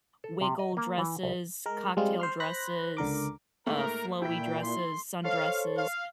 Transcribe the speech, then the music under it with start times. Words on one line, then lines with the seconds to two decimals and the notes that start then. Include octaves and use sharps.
wiggle dresses, cocktail dresses, uh, flowy dresses, sundresses.
0.24 A4
0.41 C3
0.59 D#5
0.77 A#3
0.98 E3
1.23 C2
1.66 G#3 A#4
1.97 G3 G#3 C4 F4
2.20 C5 C6 F6
2.40 C5 B5 F#6 A#6
2.97 C#2 D3 A#4 D6
3.66 G#2 A3 A#3 A#4
4.22 A#2 E4 G5 B6
4.62 C6
5.25 A4 C5 C#5 F5
5.76 F5